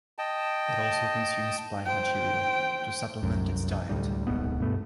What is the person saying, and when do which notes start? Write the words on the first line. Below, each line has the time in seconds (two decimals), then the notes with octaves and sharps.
It also consumes plant material to supplement its diet.
0.18 D#5 G5 A5
1.86 C5 G5
3.23 C2 F#2
3.89 D2 A2 G3
4.27 D1 B1 G#2 B3
4.61 G2 B2 A3